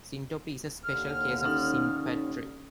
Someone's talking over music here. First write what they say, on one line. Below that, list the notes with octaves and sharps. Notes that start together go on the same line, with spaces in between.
Syntopy is a special case of sympatry.
D#2 D3 F6
C#4 D#4 A4